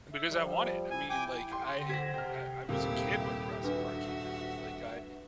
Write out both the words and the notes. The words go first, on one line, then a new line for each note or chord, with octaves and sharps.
Because I want it, I mean, like, I I I was a kid when Jurassic Park came out, like I
E5
F3 G3
E4 G#5
G5 G#5 D6
G4 G5 C6
D3
G4 C5 F#5 G#6 A#6
C3 G5 F6
D#1 C3 A#3 E4 G4
D4 F#4 B4 E5